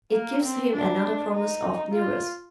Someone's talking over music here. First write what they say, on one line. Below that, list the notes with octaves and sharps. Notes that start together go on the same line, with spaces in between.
It gives him another promise of "newness."
A#3
C4
D4
D#4
F4